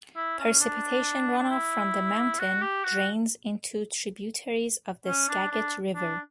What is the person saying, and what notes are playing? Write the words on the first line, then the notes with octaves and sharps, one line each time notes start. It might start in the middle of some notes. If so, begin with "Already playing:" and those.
Precipitation runoff from the mountain drains into tributaries of the Skagit River.
E4
C#4
D4
D4
E4
F#4
G4
F#4
C#4
D4
D4
D4